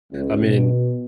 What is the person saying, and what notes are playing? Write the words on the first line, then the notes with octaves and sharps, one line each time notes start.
I mean,
C#2
B2